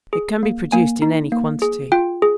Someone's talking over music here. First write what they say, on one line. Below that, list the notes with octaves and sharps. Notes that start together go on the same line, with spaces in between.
It can be produced in any quantity.
G#4
A#3
A#3 G#5
D#4
A#3
G#4
F4 G5
G#4